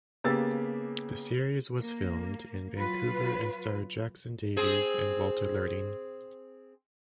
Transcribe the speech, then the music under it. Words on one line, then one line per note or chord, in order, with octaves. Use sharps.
The series was filmed in Vancouver and starred Jackson Davies and Walter Learning.
C#3 A#3 B3 G4 E6 A6
A#3
F#3 F4 B4
C4 G#4